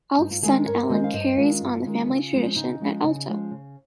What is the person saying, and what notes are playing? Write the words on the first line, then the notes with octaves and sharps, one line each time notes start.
Alf's son Alan carries on the family tradition at Alta.
G2 D#4
F4
D#3 G#3 C#4 F4 G#4
G2 A#4 C#5
D#3 G#3 C#4 C5 D#5
F5
G2 C5 D#5
D#3 G#3 C#4 F4
G2
D#3 G#3 C#4
C#3
F3 G#3 C#4
C#3 D#4
F3 G#3 C#4
C#3
F3 G#3 C#4
C#3